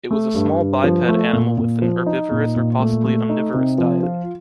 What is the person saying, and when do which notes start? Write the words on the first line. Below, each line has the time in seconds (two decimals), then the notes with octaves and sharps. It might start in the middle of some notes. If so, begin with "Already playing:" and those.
It was a small biped animal with a herbivorous or possibly omnivorous diet.
0.11 A3
0.35 G2
0.59 G2
0.84 F3
1.09 A3
1.33 A#2
1.58 A#2
1.82 F3
2.06 D#4
2.31 A#2
2.56 A#2
2.80 A3
3.04 A3
3.29 D#4
3.54 C3
3.78 F3
4.03 F4